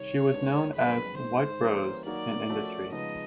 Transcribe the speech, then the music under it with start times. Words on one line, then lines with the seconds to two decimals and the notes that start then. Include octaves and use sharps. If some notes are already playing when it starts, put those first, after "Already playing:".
She was known as "White Rose" in industry.
Already playing: C3 D#3 G3 C#5
0.33 D#2 D#3 G#3 B3 D4
0.76 F#2 D3 F3 G#3 C4 B4
1.19 G#2 D#3 G#3 C5
1.63 E3 G3 A#3 C#4
2.05 D#3 F#3 A#3 D#4 F#4 D5
2.49 F3 A3 C#4 F#4 A#4
2.92 C#3 F3 G#3 B3 D#4 D#5